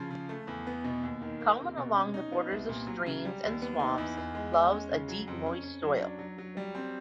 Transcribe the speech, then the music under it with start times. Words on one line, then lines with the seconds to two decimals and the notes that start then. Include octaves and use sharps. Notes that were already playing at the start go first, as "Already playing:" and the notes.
Common along the borders of streams and swamps, loves a deep moist soil.
Already playing: C#3 F3
0.11 C#3
0.29 A3
0.47 E2
0.67 B3
0.84 B2
1.03 D#2
1.22 D#3
1.41 A#3
1.58 C3
1.77 B2
1.96 C#4
2.14 D#4
2.32 B3
2.51 C2
2.69 A#2
2.87 F#3
3.06 C#3
3.25 G3
3.43 D#2
3.62 B3
3.79 D#4
3.98 E2
4.17 E2
4.35 G#3
4.53 G#3
4.72 C#4
4.90 C#3
5.08 F#3
5.27 F2
5.46 C#4
5.63 C#4
5.82 F#3
6.01 D4
6.19 F#3
6.38 F#3
6.57 G3
6.75 C4